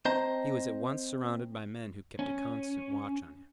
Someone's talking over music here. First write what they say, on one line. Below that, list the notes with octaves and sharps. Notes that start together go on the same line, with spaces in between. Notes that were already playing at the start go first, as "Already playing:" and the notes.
He was at once surrounded by men who kept a constant watch on him.
C4 C5 D#5 A5 A#5
C#4